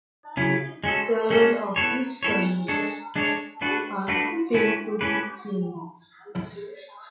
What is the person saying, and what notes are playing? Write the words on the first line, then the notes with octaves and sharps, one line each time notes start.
Several of these tunnels are still to be seen.
C#3 F#3 C#4 E4
G#3 C#4 F#4 A4
G#3 C#4 F#4 A4
B3 E4 A4 C#5
B3 E4 A4 C#5
G#3 D4 A4 C#5
G#3 D4 A4 C#5
A3 D4 F#4 B4
A3 D4 F#4 B4
A3 C#4 E4 B4
A3 C#4 E4 B4